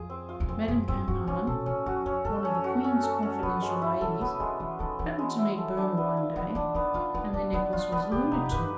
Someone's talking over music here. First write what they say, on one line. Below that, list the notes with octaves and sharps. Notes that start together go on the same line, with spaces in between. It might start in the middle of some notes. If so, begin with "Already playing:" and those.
Madame Campan, one of the Queen's confidential ladies, happened to meet Boehmer one day, and the necklace was alluded to.
Already playing: F2 F4 G#4
C4
F4
E2
F2 C4
F#2 G#4
G2 C4
G2 F#4
G#2 C#4
A#2 A4
A#2 C#4
F#2 F#4
F2 C#4
F#2 A4
C#4
F#4
C#4
A4
C#4
G2 B3
G#3
E4
C#3 A4
D3 B3
D3 G#3
E3 E4
D#3 A4
E3 B3
G#3
E4
A4
D4
B3
F4
F3 B3
E3 D4
D#3 B3
D#3 F4
D#3 B3
D3 D4
D#3 B3
E3 F4
D#3 B3
C#3 G4
C3 D#4
G#2
G2 B4